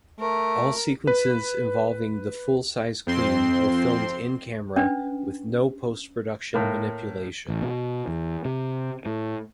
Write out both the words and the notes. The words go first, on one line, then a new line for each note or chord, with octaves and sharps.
All sequences involving the full size queen were filmed in-camera with no post-production manipulation.
A3 A#4
B4
F2 C4 C6
C#4 D4 B4
A2 A#3
A1
B2
E2
C3
A2